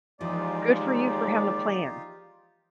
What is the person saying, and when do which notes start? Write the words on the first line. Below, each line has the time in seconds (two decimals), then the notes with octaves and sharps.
Good for you for having a plan.
0.21 D#2 E3 F3 G#3 D#4 F4 G4 D5